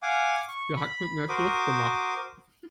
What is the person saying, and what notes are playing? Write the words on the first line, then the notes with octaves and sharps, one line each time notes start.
Sie hat mit mir Schluss gemacht.
F5 F#5 G#5 D6
C#6
B5
F#4 A#4 C5 D6 D#6